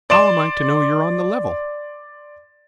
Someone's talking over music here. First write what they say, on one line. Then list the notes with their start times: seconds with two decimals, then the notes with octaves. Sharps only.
"How am I to know you're on the level?"
0.10 D5 C6 E7